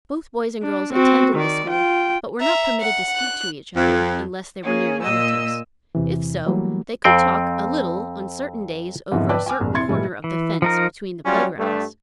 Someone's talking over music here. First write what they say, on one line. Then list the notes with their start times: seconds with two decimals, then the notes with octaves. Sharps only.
Both boys and girls attended this school, but were not permitted to speak to each other unless they were near relatives; if so, they could talk a little on certain days over a certain corner of the fence, between the playgrounds!
0.62 D4
0.92 C4 F#4
1.35 D#3 D5
1.67 F4 G5
2.40 E5 A#5
2.81 F#5
3.16 F#6
3.76 F2
4.62 A#3 C#4 G#4
5.01 A#2 D#5 E6
5.95 E2 C3 E3
6.47 E3 F#3 G3 A3 A#3
7.04 F2 C4 G5
9.11 F2 G#2 B2 D3 E3 F3
9.29 B4 D5 G5 A5 D6 E6
9.46 G5 G#5 D6 F6
9.60 F1 A#1
9.74 C3 E4 C6 G#6 A6 C#7
9.88 A#2 E3 G3 G#3 A#3
10.24 E3
10.62 F3 D#4 A#4
11.25 F#3 G3 C#4 F4
11.59 G2 A3